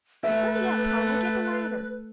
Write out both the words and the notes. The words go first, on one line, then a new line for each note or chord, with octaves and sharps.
Hurry up, Paula, get the ladder.
A3 B4 E5